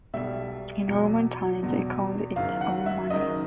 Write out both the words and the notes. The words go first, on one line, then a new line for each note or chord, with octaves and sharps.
In Roman times, it coined its own money.
B1 B2 G3 E5
E2 B2 F#3
E2 B2 F#3
F#1 F#2 D#3 F5
F#5
E5
F#1 F#2 D#3 D#5